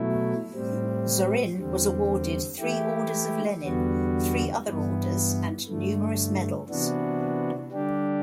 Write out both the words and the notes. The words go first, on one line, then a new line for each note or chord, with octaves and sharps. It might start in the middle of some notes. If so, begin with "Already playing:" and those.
Zorin was awarded three Orders of Lenin, three other orders and numerous medals.
Already playing: B2 F#3 A3 E4
A2 G3 C4
E2 D3 G3 C4
E3 A3 E4 G4
E2 D3 G3 B3 F#4
G2 E3 B3
G2 D3 A3
C3 E3 B3 D4 F#4
D3 G3 D4 G4